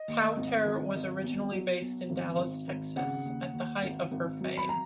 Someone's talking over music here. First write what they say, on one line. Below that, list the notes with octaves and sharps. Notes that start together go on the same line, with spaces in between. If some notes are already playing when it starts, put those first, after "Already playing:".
Powter was originally based in Dallas, Texas at the height of her fame.
Already playing: D#5
D#2
G#1
G#1
G#1
B1
F#3
B1
G#1
G#1
G#1
C#3 F#5
D#2
D#2
G#1
G#1
F#3
B5
A#5